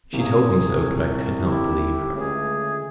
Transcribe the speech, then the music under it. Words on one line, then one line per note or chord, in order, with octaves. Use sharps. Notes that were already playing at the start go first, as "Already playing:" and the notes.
She told me so, but I could not believe her.
C2 C3 A#3 G#4
A#2
D3 E4 G4
C#2 A3 G#4